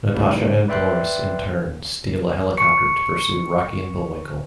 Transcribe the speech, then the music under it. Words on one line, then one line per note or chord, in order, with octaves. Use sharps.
Natasha and Boris in turn steal a helicopter to pursue Rocky and Bullwinkle.
A2 C#3 G3 B3 D#4
B4 D5 E5 G5 C6 F#6
C#6 C#7